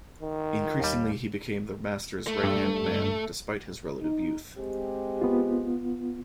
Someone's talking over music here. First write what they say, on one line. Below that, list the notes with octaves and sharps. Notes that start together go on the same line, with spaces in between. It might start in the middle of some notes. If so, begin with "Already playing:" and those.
Increasingly he became the master's right-hand man, despite his relative youth.
D#3
D#2 G3
A3
G2
D#4
G#3 C4 G4
B3 F4